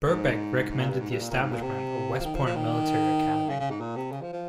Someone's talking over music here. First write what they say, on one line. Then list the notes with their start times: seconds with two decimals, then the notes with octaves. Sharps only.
Burbeck recommended the establishment of West Point Military Academy.
0.06 G#2
0.70 G#2
0.79 A#2
0.89 G2
1.00 G#2
1.10 G2
1.21 A#2
1.31 A#2
1.42 G#2
1.52 A#2
1.62 C3
2.20 F3
2.25 D#3
2.35 F3
2.46 F3
2.56 D#3
3.49 C#3
3.60 C#3
3.70 G#2
3.80 A#2
3.96 C3
4.11 C#3
4.22 F3
4.32 F3